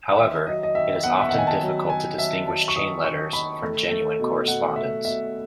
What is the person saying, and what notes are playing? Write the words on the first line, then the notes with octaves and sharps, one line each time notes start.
However, it is often difficult to distinguish chain letters from genuine correspondence.
F#5
D#3 E5
F#3 D#5
D#5
D#3 E5
B3 F#5
E5
D#3 F#5
G#5
A5
F#3
F#3 G#5
F#3 E5
F#3 A5
C#6
D#3 D#6
D#3 C#6
D#3 B5
A3
A3
B2
B2 F#5
A3 E5
B2 E5